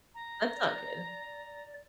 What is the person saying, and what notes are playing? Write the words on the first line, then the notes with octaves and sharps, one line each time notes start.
That's not good.
A#5
D5